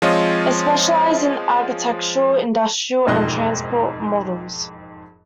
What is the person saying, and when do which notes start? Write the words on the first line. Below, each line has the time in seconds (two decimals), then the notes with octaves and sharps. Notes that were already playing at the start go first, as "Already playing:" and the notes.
It specialised in architectural, industrial, and transport models.
0.02 F3 G#3 C4 F4 C#5 D#5
3.07 E1 F2 G#2 D#5 C6 F#6